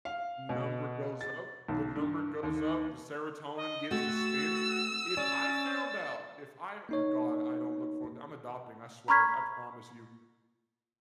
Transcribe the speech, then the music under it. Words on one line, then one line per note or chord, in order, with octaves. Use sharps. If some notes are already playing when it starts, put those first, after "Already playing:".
number goes up, the number goes up, the Serotonin gets dispensed. If I found out, if I uh, God, I don't look for I'm adopting, I swear, I promise you,
F5
B2
A6
B1
G2
D#2
D#5
A3 C4 F#4 E6 A6
C#4 D5 A6
A#3 D#4 C#5
A#5 B5 C#6 F6 G#6 B6